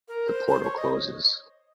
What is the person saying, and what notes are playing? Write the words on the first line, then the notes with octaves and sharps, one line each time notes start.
The portal closes.
A#4
C5
C5
C#5
D#5